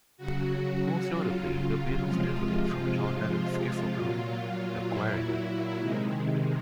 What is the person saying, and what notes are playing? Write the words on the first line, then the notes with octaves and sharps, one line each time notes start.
Most notably, the Beatles developed from John Lennon's skiffle group the Quarrymen.
C#3 F#3 F#4
F4
C3 F3 G#3 F4
F4
A#2 F#3
E4
C3 D#3 G#3